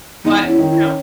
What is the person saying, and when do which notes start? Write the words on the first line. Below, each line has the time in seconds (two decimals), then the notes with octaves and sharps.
but, you know,
0.25 E2 D#4
0.42 C#4
0.48 E4
0.59 D#3
0.71 E4
0.77 C#4